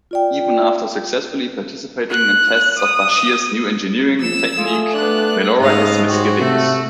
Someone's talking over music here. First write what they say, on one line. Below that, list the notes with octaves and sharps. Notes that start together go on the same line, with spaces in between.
Even after successfully participating in tests of Bashir's new engineering technique, Melora has misgivings.
F4 D5 G5
F#6
D#6
F3 E6 E7
A3 F4 G#4
B3 D4 F#6
G#2 C#3 A3 B3 D#5 F5
F#4 G4 C5 C#5
C3 A3